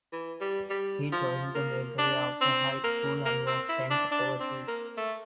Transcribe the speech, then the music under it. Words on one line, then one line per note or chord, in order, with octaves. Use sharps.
He joined the military after high school and was sent overseas.
E3
G3
G3
F3
A#3
D4
C4
A#3
A#3
C4
E4
D4
D4
C4
A#3
A3